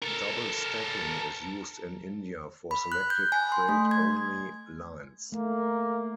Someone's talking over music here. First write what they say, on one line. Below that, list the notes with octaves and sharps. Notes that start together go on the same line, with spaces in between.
Double stacking is used in India for selected freight-only lines.
A4 A#4
B5
F#6
G6
G#5
C6
A3
G#6
A3 A#3